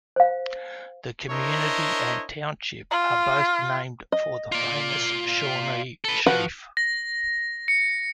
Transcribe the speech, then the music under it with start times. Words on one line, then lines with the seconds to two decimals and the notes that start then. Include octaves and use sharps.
The community and township are both named for the famous Shawnee chief.
0.16 C5 F5
1.29 D4 E4 A#4 C5 C#5 D#5
2.91 F4
4.12 D#5
4.52 F4 D5
6.05 A4 B4
6.26 F3 F#4 B4 F#5
6.77 A#6
7.68 C#7